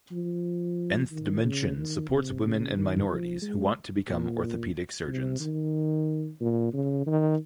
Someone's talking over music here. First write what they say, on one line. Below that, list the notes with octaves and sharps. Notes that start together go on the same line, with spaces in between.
Nth Dimensions supports women and minorities who want to become orthopaedic surgeons.
F3
D#3
C#3
D#3
C3
C#3
D#3
F3
G#3
A#2
C3
D#3
A#2
C#3
D#3